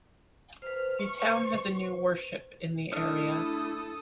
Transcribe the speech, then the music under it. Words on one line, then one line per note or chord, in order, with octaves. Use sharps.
The town has a new worship in the area.
B4 C5 F6
C#6
A3 D4 E4 A4 D#6 F6